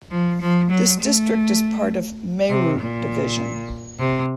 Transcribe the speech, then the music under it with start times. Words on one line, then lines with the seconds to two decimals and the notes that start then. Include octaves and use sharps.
This district is part of Meerut Division.
0.11 F3
0.41 F3
0.70 F#3
1.00 A3
2.50 C3
2.79 A#2
3.99 C3